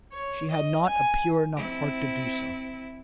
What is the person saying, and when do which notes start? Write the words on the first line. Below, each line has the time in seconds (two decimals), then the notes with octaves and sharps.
She had not a pure enough heart to do so.
0.13 C#5
0.51 D#5
0.87 G#5
1.57 C4 E4